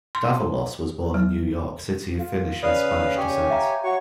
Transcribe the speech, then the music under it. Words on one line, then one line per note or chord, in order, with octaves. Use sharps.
Davalos was born in New York City of Finnish and Spanish descent.
C6
F#3
F4
C#3 B4 D5 F5 D#6
G4 C#5 G#5
E5 F5 A#5
F#4 C#5 C#6